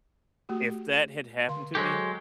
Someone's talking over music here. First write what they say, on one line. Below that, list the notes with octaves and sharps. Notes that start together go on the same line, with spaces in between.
if that had happened to me
A3 F#4 G4
D3 F5 C6
F#3 G#3 G4 A4 C5